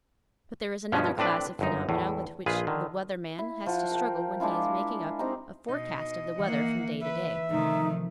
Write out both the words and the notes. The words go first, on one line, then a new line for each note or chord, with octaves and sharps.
But there is another class of phenomena with which the "weather man" has to struggle when he is making up a forecast of the weather from day to day.
G2 B2 F3 G#3 B3 C#4
A2 C4 D4 B4 D5
G1 F#2 D#4
E2 A2
A#1 F4 G#4 B4
D3 D#3
E4
F3 F#5
A#4 G5
G#3 D4 E4 F4
C4 D#4 G4 A#5
B2 D#4 D#5
E3 A#3 F#5
B4 E5
C3 D#3 F3 A3 D#4